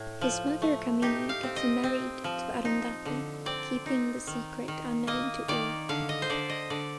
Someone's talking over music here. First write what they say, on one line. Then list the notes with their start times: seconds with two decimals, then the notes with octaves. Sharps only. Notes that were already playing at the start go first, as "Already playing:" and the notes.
His mother Kamini gets him married to Arundhati keeping the secret unknown to all.
Already playing: A2
0.21 F3
0.62 A3
1.02 D#4 G4
1.29 F5
1.43 C4
1.56 D#5
1.84 C4
2.24 F3
2.65 D#4
3.06 D3
3.46 C4 D5
3.86 D#4
4.27 D#3
4.68 D#3
5.07 A#3 D#5
5.48 D#3 D5
5.89 D3 F5
6.09 D#5
6.22 C5
6.30 D3 D5
6.50 D#5
6.70 D3 D5